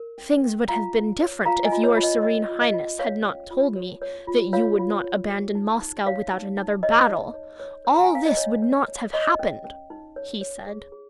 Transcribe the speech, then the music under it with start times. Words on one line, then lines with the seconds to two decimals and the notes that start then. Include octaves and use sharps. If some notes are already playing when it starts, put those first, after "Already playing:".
"Things would have been different if your Serene Highness had not told me that you would not abandon Moscow without another battle; all this would not have happened," he said.
Already playing: A#4
0.18 C#4
0.44 C#4
0.69 F4 F5 A#5
0.95 F4
1.21 C#5
1.46 F4 F5 A#5
1.65 D#5 G#5
1.72 F4
1.84 C#5
1.96 F4
2.03 D#5
2.22 C#4 D#5
2.48 F4
2.61 D#5
2.73 F4
2.99 C#4 C#5 F5
3.25 C#4
3.51 F4
3.76 C#5
4.02 C#5
4.27 F4
4.53 F4 C#5 F5
4.79 F4
5.04 C#5
5.30 G#4
5.55 D#4
5.81 D#4
6.06 D#4 C#5 F5
6.32 D#4
6.57 D#4
6.83 C#5 D#5
7.09 D#4
7.34 C#5
7.60 C#5
7.85 C#5
7.94 A#5
8.04 G#5
8.11 D#4 F5
8.25 D#5
8.37 C#4 C#5
8.62 C#5
8.88 C#5
9.13 C#5 D#5
9.39 C#4
9.64 C#4
9.90 D#4
10.16 C#5
10.41 C#5
10.67 G#4
10.92 G#4